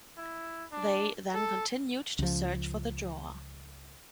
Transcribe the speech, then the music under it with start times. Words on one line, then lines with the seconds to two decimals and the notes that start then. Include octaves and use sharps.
They then continued to search for the drawer.
0.17 E4
0.72 D4
1.34 A4
2.19 C#2 F3